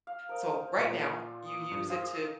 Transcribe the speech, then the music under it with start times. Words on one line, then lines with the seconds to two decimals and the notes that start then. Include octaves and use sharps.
so right now you use it to"
0.07 F5
0.29 A#4 C5 D#5
0.78 A#2 F4
1.45 D#6
1.71 G2
1.90 G#4 C5 F5